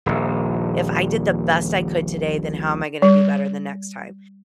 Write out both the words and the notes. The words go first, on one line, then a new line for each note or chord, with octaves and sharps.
If I did the best I could today, then how am I gonna do better the next time?"
D#1 A#1
G3